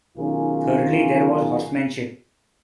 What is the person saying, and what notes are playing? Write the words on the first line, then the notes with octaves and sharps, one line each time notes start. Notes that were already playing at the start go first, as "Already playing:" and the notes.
Thirdly there was horsemanship.
B1 D#3 C#4 F4 G#4 A#4